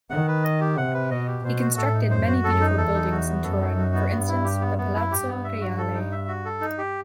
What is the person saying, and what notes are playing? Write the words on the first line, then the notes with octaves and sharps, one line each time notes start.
He constructed many beautiful buildings in Turin, for instance the Palazzo Reale.
D#3 F#5
B4
D#5
G4
C3 F#5
B4
B2 D#5
G4
B2 C5
F#4
A2 A4
D#4
F#2 C5
F#4
F#2 A4
D#4
E2 A4
D#4
F#4
B3
F#2 A4
D#4
F#4
B3
G2 B3
E4
G4
B3
F#2 B3
E4
G2 G4
B3
E5
F#4
A4
D#4
E5
F#4
A4
D#4
G4